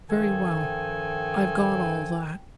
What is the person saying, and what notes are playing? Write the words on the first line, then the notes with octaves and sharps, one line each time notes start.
Very well--I've got all that.
G2 D#3 F3 A4 G5 G#5